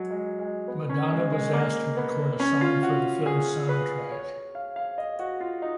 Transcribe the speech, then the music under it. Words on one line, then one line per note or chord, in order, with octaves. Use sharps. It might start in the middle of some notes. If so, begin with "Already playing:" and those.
Madonna was asked to record a song for the film's soundtrack.
Already playing: F#3 G#3
G#3
G#3
B3
C#4
G#3
G#3
A#3
B3
C#4
F4
F#4
G#4
B4
C#5
F5
F5
D#5
F#4
F4
D#4